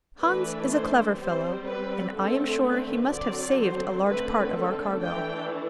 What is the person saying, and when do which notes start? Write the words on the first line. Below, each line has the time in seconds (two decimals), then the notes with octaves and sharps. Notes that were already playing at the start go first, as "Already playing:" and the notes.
Hans is a clever fellow, and I am sure he must have saved a large part of our cargo.
0.21 E3 A3 D4 B4
0.69 C5
1.16 G3 C4 C5
1.65 B4
2.12 D3 A3 C4 A4
2.62 B4
3.09 D3 F#3 C4 D5
3.57 C5
4.05 D3 A3 C4 B4
4.54 A4
5.01 E3 A3 D4 G5